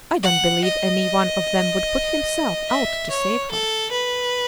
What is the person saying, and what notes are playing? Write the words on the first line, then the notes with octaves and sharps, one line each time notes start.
"I don't believe any one of them would put himself out to save her."
F#5
D#5
E5
C#5
A4
B4